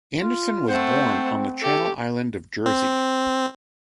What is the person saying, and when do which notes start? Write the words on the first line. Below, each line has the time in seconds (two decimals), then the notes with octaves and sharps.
Anderson was born on the Channel island of Jersey.
0.20 F4
0.68 A3 C4 C5 F#5
1.62 A3 C#4 G4 A4
2.66 C4